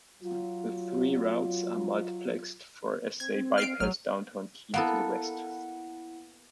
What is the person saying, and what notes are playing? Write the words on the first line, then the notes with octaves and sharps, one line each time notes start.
The three routes are multiplexed for as they bypass downtown Keene to the west.
F#3 F4
C4 G#6
F6 C7 D7
A1 F#3 F6
A#3 B3 E4 A4 F#5